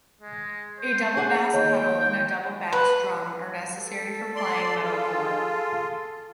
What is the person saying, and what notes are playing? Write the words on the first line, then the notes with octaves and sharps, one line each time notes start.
A double bass pedal and a double bass drum are necessary for playing metalcore.
G#3
C5
G#4 F#5
D#2 C#5 G5
B4
A4
D5 C6
F4 G#4